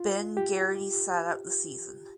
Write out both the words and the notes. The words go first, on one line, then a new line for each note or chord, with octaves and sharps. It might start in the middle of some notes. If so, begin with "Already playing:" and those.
Ben Garrity sat out the season.
Already playing: F4
G4